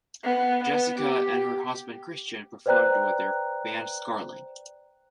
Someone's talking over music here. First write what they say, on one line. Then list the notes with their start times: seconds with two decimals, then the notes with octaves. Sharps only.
Jessicka and her husband Christian performed with their band Scarling.
0.24 B3
0.63 B3
0.99 G4
2.66 B4 C5 D5 G5 A#5 F#6